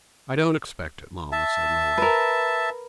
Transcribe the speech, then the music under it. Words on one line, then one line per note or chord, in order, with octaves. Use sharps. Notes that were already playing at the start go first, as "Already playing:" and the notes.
"I don't expect it, mamma," said Lily.
E5 A5
A#4 B4